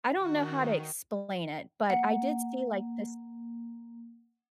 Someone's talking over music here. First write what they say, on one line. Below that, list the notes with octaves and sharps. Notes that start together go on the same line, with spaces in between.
I don't know how to explain it, but I did see like this
D#3 F#4
A#3 F#5